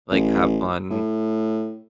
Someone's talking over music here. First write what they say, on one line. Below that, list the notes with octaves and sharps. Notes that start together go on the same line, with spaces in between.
Like, have fun,
A1
A2